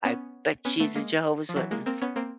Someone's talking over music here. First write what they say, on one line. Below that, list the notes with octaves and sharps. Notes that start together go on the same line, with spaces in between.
"I bet she's a Jehovah's Witness."
B3 C#4
B3 C#4
A3 B3
G#3 A#3
F3
E3 F#3
G#3 A#3
A#3 C4
B3 C#4
A#3 C4